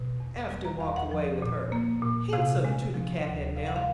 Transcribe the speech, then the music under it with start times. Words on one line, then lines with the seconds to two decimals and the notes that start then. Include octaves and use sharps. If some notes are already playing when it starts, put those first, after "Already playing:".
Aft and walk away with her! Handsome to the cathead, now!
Already playing: B2
0.20 E2
0.51 G3
0.65 A#5
0.80 E2 F5
0.96 F#5
1.11 F3
1.42 A#2
1.72 A#3
2.03 A#2
2.33 C3 F5
2.64 G#3
2.94 F3
3.25 D2
3.55 C3 F5
3.66 F#5
3.76 F5